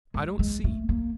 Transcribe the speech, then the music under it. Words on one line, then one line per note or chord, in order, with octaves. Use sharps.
I don't see.
G#3
G#3
A3
A#3